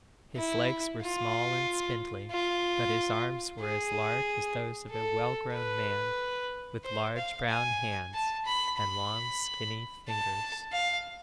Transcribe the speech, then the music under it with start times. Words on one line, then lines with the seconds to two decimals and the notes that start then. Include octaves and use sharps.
His legs were small and spindly, but his arms were as large as those of a well-grown man, with large brown hands, and long skinny fingers.
0.37 E4
1.01 F4
2.31 F4
3.61 G#4
4.91 A4
5.54 B4
6.84 C5
7.16 F5
7.49 G#5
8.14 A5
8.46 B5
8.78 B5
10.08 A5
10.73 F5